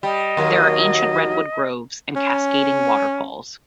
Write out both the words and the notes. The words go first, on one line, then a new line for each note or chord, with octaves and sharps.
There are ancient redwood groves and cascading waterfalls.
G3 D#5
D#2 F#3 A#3
C#4